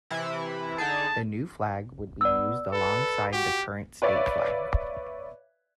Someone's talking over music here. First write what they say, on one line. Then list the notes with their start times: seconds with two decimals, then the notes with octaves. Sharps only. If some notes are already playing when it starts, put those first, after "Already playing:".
The new flag would be used alongside the current state flag.
0.10 C3 E3 E4
0.78 D3 D#4 G#4 A5
2.21 B3 D5 E6
2.73 A4 B4
3.33 F#4 G4
4.02 B4 C#5 D5 E5 F5